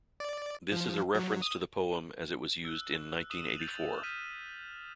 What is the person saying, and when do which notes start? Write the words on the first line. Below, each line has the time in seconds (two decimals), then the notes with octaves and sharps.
This is a reference to the poem as it was used in "Nineteen Eighty-Four".
0.20 D5
0.72 F3
1.15 F#3
1.42 D#6
2.65 E6 F#6
3.30 D#6 E6 D#7 E7
3.57 G6 A6 F7 F#7
4.03 F6 G6 B6 D#7